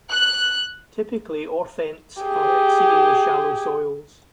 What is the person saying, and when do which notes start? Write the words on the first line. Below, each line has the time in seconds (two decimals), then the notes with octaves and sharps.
Typically, Orthents are exceedingly shallow soils.
0.10 F#6
2.23 G4 G#4